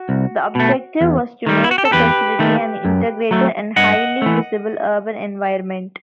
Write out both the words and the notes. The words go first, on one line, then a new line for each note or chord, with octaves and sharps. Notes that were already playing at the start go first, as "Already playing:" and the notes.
The objective was to make the facility an integrated and highly visible urban environment.
Already playing: F#4
C2
B2 A3
E2
D#3 G3
E4
F#4
G4
A4
E2 G4 B4
D#3 A3
F#2
F#3 A3
G2 D#5 F#5
E3 A3